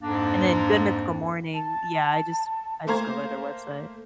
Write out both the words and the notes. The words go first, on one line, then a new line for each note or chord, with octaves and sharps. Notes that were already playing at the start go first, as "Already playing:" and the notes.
And then Good Mythical Morning. Yeah, I just I just go by their website.
F2 G#2 A#3 D4
A5
A3 A#3 C5 F5 A#5 G#6